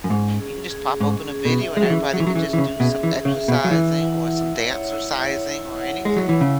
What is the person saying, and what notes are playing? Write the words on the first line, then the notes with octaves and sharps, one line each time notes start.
you can just pop open a video and everybody could just do some exercising or some dancercising or anything.
F#2
G#2 C#4
G#4
G#4
G#2 C#4
G#4
B2
E5
G#3
F#3
E3 C#4
F#3
E3 C#4
F#3
E3
E3 E5
C#3
B2 G#4
E3
G#4
C#3
E5
B2
F#3
E3 E4
F#5
E4
C#5
E4
C#5
E4
F#5
G#3
C#5
F#3
E3
C#3 E4